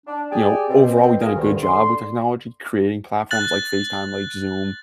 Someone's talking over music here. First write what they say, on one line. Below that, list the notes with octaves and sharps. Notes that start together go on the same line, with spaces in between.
you know, overall, we've done a good job with technology, creating platforms like FaceTime, like Zoom,
D4
G4 G#4 D5
B2 C4
F4 G#4 A#4
D2 G2 D#3
D3 C6
F#6 A6 F#7